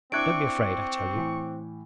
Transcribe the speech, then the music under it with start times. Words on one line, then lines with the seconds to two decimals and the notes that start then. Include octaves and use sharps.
Don't be afraid, I tell you.'
0.12 C4 D4 E4 C#6 D6 F#6 G#6 D7
1.15 A2 E3